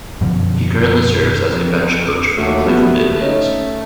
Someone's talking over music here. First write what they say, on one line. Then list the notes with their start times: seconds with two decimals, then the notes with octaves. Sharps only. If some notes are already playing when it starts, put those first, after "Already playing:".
He currently serves as a bench coach for the Cleveland Indians.
0.21 F#2 B2 D3 F3
1.45 F2
2.37 D#2 F#3 A3
2.66 G3 A3 B3 F#4
3.21 C#4 D#4